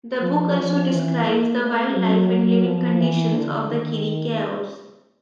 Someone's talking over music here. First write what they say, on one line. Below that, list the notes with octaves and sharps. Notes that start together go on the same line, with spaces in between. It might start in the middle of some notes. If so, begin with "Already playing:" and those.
The book also describes the wildlife and living conditions of the Chiricahuas.
F3
F3
E3
A#3
A3
F#3
F#3
F3
E3
D3
D#3